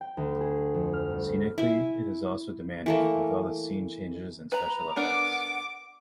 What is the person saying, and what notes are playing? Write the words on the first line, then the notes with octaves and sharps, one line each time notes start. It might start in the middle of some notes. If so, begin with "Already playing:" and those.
Scenically, it is also demanding, with all the scene changes and special effects.
G5
D2
G#4
F2
F6
G1
E4 G#5
E3 A3 A#3
B4 A#5 B5
B3 D4 A#4 F#5 D6